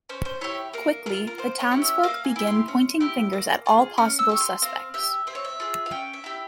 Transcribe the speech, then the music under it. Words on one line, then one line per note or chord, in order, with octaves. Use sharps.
Quickly, the townsfolk begin pointing fingers at all possible suspects.
C#4 C5
C5
E4 G4 C#5
A#3 A#4
F4 G#4 A#4
A#4
A#3 C5
C#5
C#4 E4 G4
E5
A#3 F5
G#5
E4 G4
C6
C#4
E4 G4
A#3
F4 G#4
C#4 F6
E6
G4 C#6
C6
C4 F5
G4 E5
C4 E5
C#5
E5
F4 G#4
F5
C#4 G5
E5
E4 G4